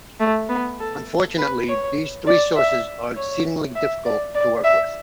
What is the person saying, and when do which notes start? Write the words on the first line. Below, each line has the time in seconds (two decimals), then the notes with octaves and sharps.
Unfortunately, these three sources are exceedingly difficult to work with.
0.20 A3
0.49 B3
0.80 A4
1.38 B4
1.69 C#5
2.27 D5
2.56 E5
3.16 C#5
3.75 E5
4.05 D5
4.35 D5
4.64 E5